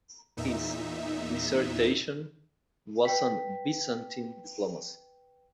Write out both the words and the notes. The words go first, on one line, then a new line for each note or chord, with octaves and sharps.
His dissertation was on Byzantine diplomacy.
E2 A#2 D#4 E5
B4 G5 B6